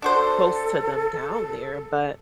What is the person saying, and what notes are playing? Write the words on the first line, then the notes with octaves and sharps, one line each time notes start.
close to them down there. But,
D4 F#4 A4 C5